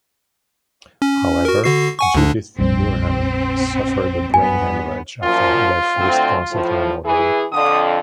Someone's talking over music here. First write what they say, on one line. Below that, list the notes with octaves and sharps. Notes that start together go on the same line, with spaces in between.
However, Judith Durham suffered a brain hemorrhage after their first concert in Melbourne.
C#4
F#4 A#4
D3 F#4 C7
F#5 G#5 C#6
D2 D3 D4
A#1 F2 G3 C4
G2 B3 G#5
F#2 A#2 F3 F4
D2 C4
A2 F3
E3 G#4
F2 D3 D#6